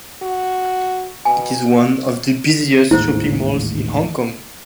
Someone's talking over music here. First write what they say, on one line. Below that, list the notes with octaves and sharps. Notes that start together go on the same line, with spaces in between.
It is one of the busiest shopping malls in Hong Kong.
F#4
B2 G#5
A1 D#2 G#2 E4 C5